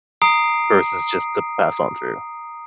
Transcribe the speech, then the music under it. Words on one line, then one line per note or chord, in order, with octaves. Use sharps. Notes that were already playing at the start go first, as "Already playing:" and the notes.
versus just to pass on through?
A#5 D#6 C7 D7